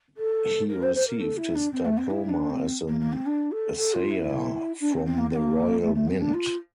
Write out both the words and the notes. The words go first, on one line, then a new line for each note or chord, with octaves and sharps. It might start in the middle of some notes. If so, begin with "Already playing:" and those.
He received his diploma as an assayer from the Royal Mint.
A4
A#4
C5
C5
A#4
A4
E4
D4
C4
A3
C4
E4
E4
D4
C4
A#3
A#3
C4
D4
A4
A4
F4
E4
D4
C4
C4
A#3
C4
A#3
A3
A3
C4
D4
F4